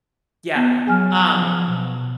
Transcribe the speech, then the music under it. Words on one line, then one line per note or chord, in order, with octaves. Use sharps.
Yeah. Um,
B3
F#3 G#4 G#5 F6
F3
B2